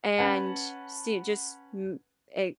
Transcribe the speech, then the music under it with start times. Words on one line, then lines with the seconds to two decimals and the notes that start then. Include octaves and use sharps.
and see just m e
0.18 C#4 B4 F#5 A5